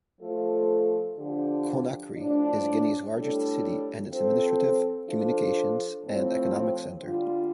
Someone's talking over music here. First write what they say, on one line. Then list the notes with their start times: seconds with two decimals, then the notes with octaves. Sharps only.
Conakry is Guinea's largest city and its administrative, communications, and economic centre.
0.20 F3 A3 F4 A4
1.17 D3 F3 D4 G4
2.15 A2 F3 D4
3.13 A2 G3 D4 A4
4.09 F3 C4 A4
5.07 F3 D4 F4 A4
6.04 A2 F3 C4
7.01 D3 G3 F4